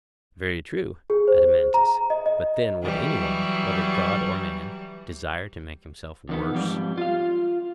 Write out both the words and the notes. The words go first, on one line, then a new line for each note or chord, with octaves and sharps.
Very true, Adeimantus; but then, would any one, whether God or man, desire to make himself worse?
G#4
C5
A#5
D#5
D#5
E3 F#3 G3
E2 D#3 B3
F2 G#2 G3
F4 F5